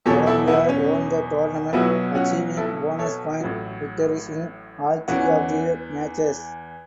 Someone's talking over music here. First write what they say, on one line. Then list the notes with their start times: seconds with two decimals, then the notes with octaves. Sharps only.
Columbia won the tournament achieving bonus point victories in all three of their matches.
0.06 E2 B2 F#3 A4 C#5
0.27 E4 A4
0.47 B3 E4
0.69 C#4
1.73 B1 B2 F#3 B3 E4
2.15 C#4 F#4
2.57 E4 A4
2.99 A4 C#5
3.40 A1 A2 F#3
5.08 E2 E3 C#4 F#4